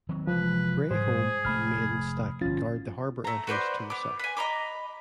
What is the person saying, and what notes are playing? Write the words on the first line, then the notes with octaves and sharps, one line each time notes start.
Brei Holm and Maiden Stack guard the harbour entrance to the south.
D#3 F#3 C4
F1 E3 F3 G#3 B4
G#2 G3 G#3 G#4 C5
F1 G#2 A3 B5 F6
G1 F3 C#4 F4 A6
A3 A#5
F#4 B4 C5 D5
B3 D6
B4 G#5
D#5 A#5 B5 D6